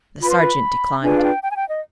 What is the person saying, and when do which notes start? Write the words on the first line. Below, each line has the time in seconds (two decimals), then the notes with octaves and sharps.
The sergeant declined.
0.22 F4 B4 B5
0.30 C6
0.38 B5
1.02 D4 F4 G#4 B4 G#5
1.18 F5
1.23 G5
1.43 G5
1.50 G#5
1.56 G5
1.69 D#5